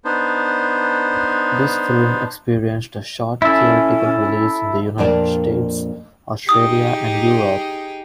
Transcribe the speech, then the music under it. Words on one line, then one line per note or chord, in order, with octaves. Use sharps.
This film experienced a short theatrical release in the United States, Australia, and Europe.
B3 D4 D#4 C5
C#4 E4 A4
F2 A#2 D4 A#4 D5 A5
D#4 G4 G#4 D#6